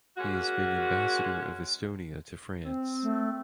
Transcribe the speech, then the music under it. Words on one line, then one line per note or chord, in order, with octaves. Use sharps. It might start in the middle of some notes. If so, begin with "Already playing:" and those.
He has been Ambassador of Estonia to France.
G#3 A#3 C#4 F#4
C4
A3